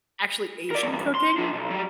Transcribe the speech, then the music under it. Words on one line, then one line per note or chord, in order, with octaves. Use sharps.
actually Asian cooking?
A#4 D5
E2 G2
C6
F3 D4
B1
F#3 G3